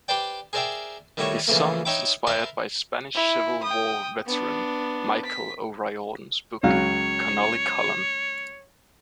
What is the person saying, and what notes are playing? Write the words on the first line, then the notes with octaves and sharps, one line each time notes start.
The song was inspired by Spanish Civil War veteran Michael O'Riordan's book Connolly Column.
G4 B4 C5 D5 G5
G#4 A#4 C5 D5 E5 G5
D#3 G3 A3 E4 F#4 C#5
C#3 E3 F3 A3 A#3
D#4 C#5 E5 G5 B5 D6
A#4 C5 E5 A5 B5
E4
G5 D#6
B3 D4
B6
C#2 F#3 C#5 F5